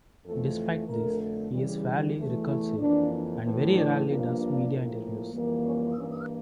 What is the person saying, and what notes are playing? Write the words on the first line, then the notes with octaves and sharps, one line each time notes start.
Despite this, he is fairly reclusive and very rarely does media interviews.
F2 E3 A3 A4
F2 D3 A3 A#4
E2 C#3 E3 G3
E2 E3 A3
E4
F2 E3 A#3 D4
A2 E3 A3
D4
G2 F3 A#3
D4
A2 F3 A#3
F2 E3 G3 A#3
C#4
G2 E3 A#3 C#4